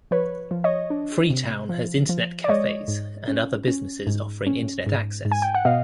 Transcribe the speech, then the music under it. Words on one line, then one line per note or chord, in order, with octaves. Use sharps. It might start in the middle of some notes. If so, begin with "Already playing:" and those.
Freetown has Internet cafes and other businesses offering Internet access.
F3 B4 C#5
F3
C#5 D#5
D4
C3
F3
F3
D5
G#3 C#5 D#5
G#2
C#4
C#4
G#2
C#4
G#2
G#2
G#5
G5
F#5
B2 D#5 F5